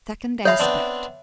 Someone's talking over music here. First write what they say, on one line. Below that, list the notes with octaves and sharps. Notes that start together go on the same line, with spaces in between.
Second Aspect.
G#4 C#5 E5 F5 B5
B3 C4 D4